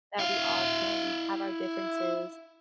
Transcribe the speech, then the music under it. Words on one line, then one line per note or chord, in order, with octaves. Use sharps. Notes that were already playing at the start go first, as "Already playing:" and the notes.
That we all can have our differences,
E4 F5